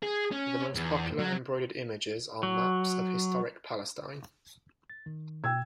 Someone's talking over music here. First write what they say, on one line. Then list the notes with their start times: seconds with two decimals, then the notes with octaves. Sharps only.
The most popular embroidered images are maps of historic Palestine.
0.03 G#4
0.32 C#4
0.75 E2
1.19 F#3
2.43 F#3
4.90 A6
5.06 D#3
5.44 B2 G5 E6 G#6